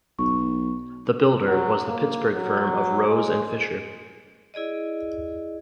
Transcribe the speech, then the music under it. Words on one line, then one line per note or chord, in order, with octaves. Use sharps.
The builder was the Pittsburgh firm of Rose and Fisher.
B1 C#6
F#3
A#3
F#3
G#3
E4 G#4 D5 D#5